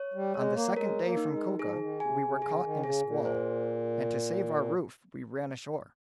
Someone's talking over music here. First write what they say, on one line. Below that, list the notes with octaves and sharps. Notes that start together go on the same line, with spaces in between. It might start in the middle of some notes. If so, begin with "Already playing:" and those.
On the second day from Coca we were caught in a squall, and to save our roof we ran ashore.
Already playing: C#5
G3
G#3 C#5
A#3
G#3 A#4
A#3
D#4
G#3
F3 G#4
D#3
C3 G#5
C3
C#3 G#4
D#3
C#3 G#4
A#2
C5